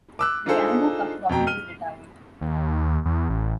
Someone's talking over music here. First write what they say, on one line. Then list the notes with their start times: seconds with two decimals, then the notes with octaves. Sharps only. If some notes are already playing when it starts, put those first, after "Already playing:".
The Canada Cup trophy was retired.
0.19 D6 E6 F#6
0.46 D4 D#4 F4 G#4 A4 C5
1.29 F2 B2 G5 A#5
1.47 F6 D#7 G7
2.41 D#2
3.05 E2
3.30 A1